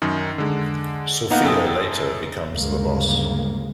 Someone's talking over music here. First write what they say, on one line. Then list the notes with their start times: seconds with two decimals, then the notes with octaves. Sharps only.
Sophia later becomes the boss.
0.02 F#2 D#3
0.38 D3 G#3
1.30 A#3 B3 D#4 F5 F#5
1.44 F#2 A4 G5 D#6
2.53 D2 G2 C#3 G3 G#3 A#3